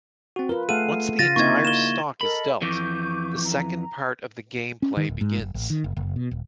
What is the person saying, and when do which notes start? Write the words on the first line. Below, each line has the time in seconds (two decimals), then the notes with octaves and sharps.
Once the entire stock is dealt, the second part of game play begins.
0.36 C4 F#4
0.49 F4 A#4 B4
0.69 A3 G#4 A4 F5 F#5 D#7
1.19 C#3 F4 F5 A6 A#6 D#7
1.36 A#3 C4 D#4 E4 D#5 C#6 G#6
1.65 A#3 E7 G7
2.21 A4 A#4 D#5 B5
2.62 F2 E3 C#6 D6 G6
3.45 A#5
4.82 C#4
4.97 D#3
5.09 D1
5.21 G#2
5.38 F#1
5.54 A1
5.70 D#3
5.84 F#1
5.97 F#1
6.16 B2
6.31 D#1